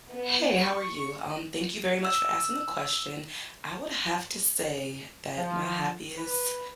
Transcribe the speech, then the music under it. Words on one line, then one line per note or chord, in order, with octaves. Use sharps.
Hey, how are you? Um, thank you very much for asking the question. I would have to say that my happiest
B3
C#6
E6
F3
B4